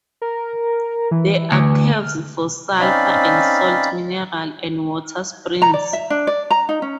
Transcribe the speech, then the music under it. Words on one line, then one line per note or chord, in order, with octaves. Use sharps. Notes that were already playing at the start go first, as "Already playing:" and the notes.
There are caves for sulphur and salt mineral, and water springs.
A#4
E3
D2
F6
C4 C#4 D#4 D5 F5 B5
A#5
D5
E5
D4
D5
A#5
D#4
C#4